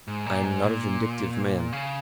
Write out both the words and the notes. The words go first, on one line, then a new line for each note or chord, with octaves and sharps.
I am not a vindictive man.
G#2
A#2
G#2
A#2
C#3